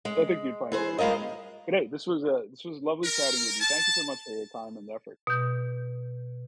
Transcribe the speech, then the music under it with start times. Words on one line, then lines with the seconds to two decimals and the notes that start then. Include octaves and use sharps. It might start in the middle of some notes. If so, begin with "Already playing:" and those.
I think you'd find a way to find them, but, hey, this was, uh, this was lovely chatting with you. Thank you so much for your time and effort.
0.05 G#3
0.72 E3 G#4 C5
0.98 G3 G#3 F4 A#4 D#5
3.03 A#4
3.58 A5
5.27 B2 G6